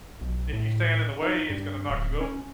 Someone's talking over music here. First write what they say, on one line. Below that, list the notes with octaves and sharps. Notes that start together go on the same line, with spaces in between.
if you stand in the way, it's gonna knock you over.
B1
A2
D#4
G2
D1
C#4